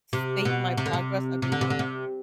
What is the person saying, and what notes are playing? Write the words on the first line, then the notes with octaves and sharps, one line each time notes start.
state my progress every month.
C3
B2
C3
D3
C3
C3
D3
C3
D3
C3